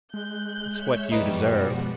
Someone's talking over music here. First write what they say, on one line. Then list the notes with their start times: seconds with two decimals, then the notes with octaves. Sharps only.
"It's what you deserve."
0.14 G#3 F#6 G6
0.74 C#5 E5 E6
1.12 F#2 B2 F3 G3 B3 D#4 F#4 B4